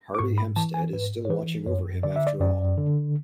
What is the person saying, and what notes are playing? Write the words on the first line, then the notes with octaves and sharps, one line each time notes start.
Hardy Hempstead' is still watching over him after all.
D6
G#2 C#6
B5
E3 A5
G#5
G#2 B4
C#5
E3 B4
F#2 C#5
D3 D5
E5
D5
F#2 D5
D3